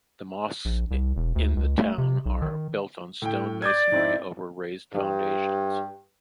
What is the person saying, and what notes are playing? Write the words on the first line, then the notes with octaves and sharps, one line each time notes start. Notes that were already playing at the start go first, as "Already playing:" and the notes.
The mosques in the town are built in stone masonry over raised foundations.
A#1
C2
E1
D2
C#2
A3
C3
B1
D#3
A2 G5
D5 D6 G6 G#6
G#2 C4 E4
G2